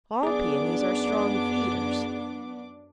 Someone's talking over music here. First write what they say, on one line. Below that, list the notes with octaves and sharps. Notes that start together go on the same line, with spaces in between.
All Paeonies are strong feeders.
F#2 B3 D4 G#4 D5 D6